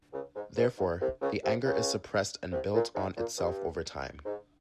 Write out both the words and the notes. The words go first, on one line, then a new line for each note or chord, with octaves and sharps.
Therefore, the anger is suppressed and builds on itself over time.
C#2 C#3
G#2
G#2
G#2
C2 C3
C#2 C#3
C2 C3
C#2 C#3
C2 C3
A#2
G#2
A#2
G2
G#2